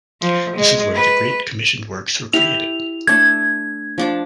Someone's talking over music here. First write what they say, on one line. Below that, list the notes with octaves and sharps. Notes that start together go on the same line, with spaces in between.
This is where the great commissioned works were created.
F3
G#3
B4
E4 G4 F7
A3 D4 G#6
F3 D4 D6